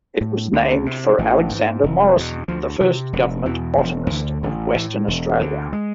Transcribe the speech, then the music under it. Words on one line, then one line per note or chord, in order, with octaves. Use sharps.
It was named for Alexander Morrison, the first Government Botanist of Western Australia.
A2
D2 D3
C3
A1 E3
G#2
F1
E2 B2
D2 F3
C3 E3
F1 D3
E2 B2 E3
E1 F3
D2 D3 E3
A1 D3
A2 E3
E1
D2 D3
G#3